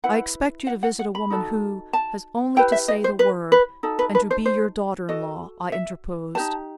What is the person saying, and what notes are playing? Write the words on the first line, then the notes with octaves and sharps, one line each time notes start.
"I expect you to visit a woman who has only to say the word and to be your daughter-in-law," I interposed.
E4 B4 F#5
F#5
F#5
F#5
B5
D#4 F#4 A4
A5
E4 G4 B4 G5
E5
D#5
C5
B4
B4
D#4 F#4 A4
B4
B4
C5
C5
F#4 A4 D#5
E5
D#4 G4 B4 A5